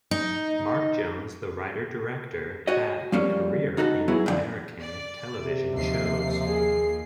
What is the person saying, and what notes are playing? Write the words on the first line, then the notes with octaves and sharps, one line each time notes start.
Mark Jones, the writer-director, had a career in American television shows.
D#4
F#4 C#5 D#5
F3 G3 A#3 C#4
C#2 D#4 F#4 A4
F#3 B3 E4 G#4
A2 D3 F3
D5
C3
D#2 F3 C7
G#4